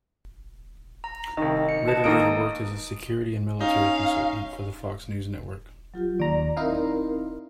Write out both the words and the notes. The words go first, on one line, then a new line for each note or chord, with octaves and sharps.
Ritter later worked as a security and military consultant for the Fox News network.
A#5
C2 D#3 D#5
C#7
B4 D#5 A5
D#3 A#3 D#4 D#5 D#6 D7
C#4 D#4 F5
F#3 F4 G4
D#2 D5 A#5
C4 D#4 E4 A#4 F5